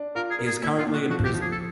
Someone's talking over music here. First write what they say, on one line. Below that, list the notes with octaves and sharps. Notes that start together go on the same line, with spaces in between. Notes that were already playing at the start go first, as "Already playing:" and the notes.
He is currently in prison.
Already playing: D4
F4 A#4
G#4
A#4
G#4
A#2 E4
F4
A#2
F#4
F3 F#4
G4
F3
G#4
A4